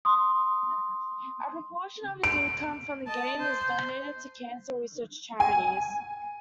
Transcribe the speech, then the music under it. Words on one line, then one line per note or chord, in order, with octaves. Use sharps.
A proportion of his income from the game is donated to cancer research charities.
C6 D#6
D7
D#5 A5
C5
G#5